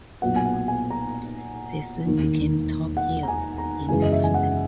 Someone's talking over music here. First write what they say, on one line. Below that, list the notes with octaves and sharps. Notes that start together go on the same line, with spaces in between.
They soon became top heels in the company.
B1 A#2 F#3 B3 F#5
G#5
F#5
G#5
A#5
E1 D#2 D#3 A#3
F#5
A#5
G#5
A#5
F#2 C#3 E3 G#3 G#5
D#5
E5
G#5
F#5